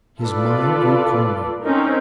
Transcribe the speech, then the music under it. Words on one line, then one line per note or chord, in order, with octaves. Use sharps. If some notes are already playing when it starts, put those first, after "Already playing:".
His mind grew calmer.
F4 A4 B4 D5
C4 C#4 D#4 A#4